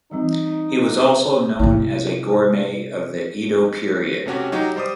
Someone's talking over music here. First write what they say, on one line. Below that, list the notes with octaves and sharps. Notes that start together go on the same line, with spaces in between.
He was also known as a gourmet of the Edo period.
E3 G3 C4 D#4
C3 E4
C3 A3 C#4 F#4 G4
F#3 D#4 F#4 G4
G3 C5 D6 D#6